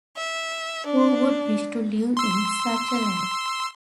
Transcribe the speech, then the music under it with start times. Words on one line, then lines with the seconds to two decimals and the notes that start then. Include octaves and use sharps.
Who would wish to live in such a land?
0.16 E5
0.85 D4
2.17 C6 E6